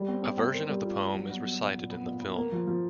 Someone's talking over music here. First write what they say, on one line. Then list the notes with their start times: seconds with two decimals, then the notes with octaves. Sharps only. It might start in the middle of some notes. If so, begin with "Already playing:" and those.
A version of the poem is recited in the film.
Already playing: G3
0.08 C4
0.22 C4
0.38 C4
0.54 A#4
0.69 G3
0.84 F4
1.00 G3
1.14 F#3
1.30 B3
1.44 F#3
1.60 A#2
1.75 A#2
1.90 B3
2.06 A#2
2.21 B3
2.36 A#3
2.52 F3
2.67 F3